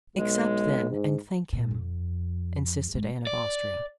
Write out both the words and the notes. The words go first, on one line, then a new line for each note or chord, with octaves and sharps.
"Accept, then, and thank him," insisted Anne of Austria.
B1 G#3
G#2
A#2
F2
G2 G#3
D5